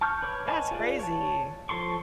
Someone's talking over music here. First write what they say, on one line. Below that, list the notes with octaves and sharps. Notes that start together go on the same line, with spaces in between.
That's crazy.
A5 C#6 F6 G6
B4 C#5 D6
B4 C#5 D#5 G#5 A5
F4 G#4 B4 D5
C#5 A5
F3 A4 C6 C#6